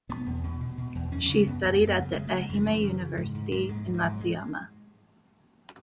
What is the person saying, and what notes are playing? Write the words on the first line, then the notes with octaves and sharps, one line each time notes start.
She studied at the Ehime University in Matsuyama.
B2 B3
E2
B2
B2
B2
E2
F#2 C#4
C#3
B3
F#2
F#2 B3
B3
F#2
A3
C#3 F#3
C#3 G#3
A3
C#3
G#3
F#2 E3
F#2 E3
C#3
C#3
G#2
G#2
G#2
G#2 G#3
G#2
F#3
G#2
G#3